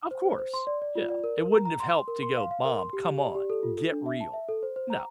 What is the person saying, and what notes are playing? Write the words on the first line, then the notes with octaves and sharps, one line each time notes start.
Of course, yeah, it wouldn't have helped to go, "Mom, come on, get real." No,
C5
C5
C5
C6
D5
D5
F4
D5
A#4
A#4
A#5
A#5
C6
C6
A#4
C6
F5
F5
A#4
C6
G4
G4
D5
G4
A4
F4
A4
D4
E5
A5
E5
A4
C5
C5
A#5